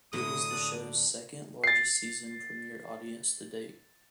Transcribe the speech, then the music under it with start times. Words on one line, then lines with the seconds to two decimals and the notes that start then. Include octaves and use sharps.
It was the show's second largest season premiere audience to date.
0.13 A2 D3 F#3 D#6
0.50 D4 D5
1.64 A6 C7